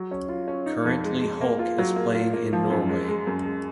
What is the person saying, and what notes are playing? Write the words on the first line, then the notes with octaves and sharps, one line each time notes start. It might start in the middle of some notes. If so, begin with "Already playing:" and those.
Currently Holc is playing in Norway.
Already playing: F#3
C#4
F4
C#4
D#4
F2
G#3
G#3
A#3
F4
F#3
A#3
F4
A#3
F3
F#2
G#3
G#3
F#2
G#3